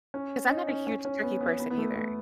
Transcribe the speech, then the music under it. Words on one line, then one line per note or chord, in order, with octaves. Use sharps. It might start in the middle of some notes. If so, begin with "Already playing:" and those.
'Cause I'm not a huge turkey person either.
C#4
D#4
C#4
C#4
C#4
B3
B3
B3
B3
A3
A3